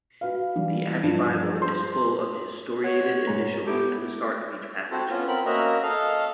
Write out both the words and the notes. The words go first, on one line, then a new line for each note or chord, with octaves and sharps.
The Abbey Bible is full of historiated initials at the start of each passage.
F#4 B4 F5
E3 G3
G2 F3
C5
C#5 F#5
G#2 G#3 A#5
B3 E4 G4 A4
C4 E4 F#4 A4 C5
B3 C#4 F4
C4 A#4 B5
A#3 C#4 F#4 D#5 E5 A#5
A4 D#5 F5 F6